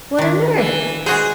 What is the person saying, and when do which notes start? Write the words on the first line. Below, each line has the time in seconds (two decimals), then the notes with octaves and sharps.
"What on earth?"
0.18 D#3 D4
0.57 E3
1.06 G#3 F#4 G#4 C5